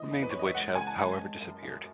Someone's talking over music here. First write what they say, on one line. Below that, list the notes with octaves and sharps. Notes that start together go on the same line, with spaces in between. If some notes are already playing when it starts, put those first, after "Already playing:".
Remains of which have, however, disappeared.
Already playing: E3 D#5
E2
B4
E2 C#5
D#5
E5
G#3 F#5
C#2 G#5
A5
C#2
G#3
F#2
F#2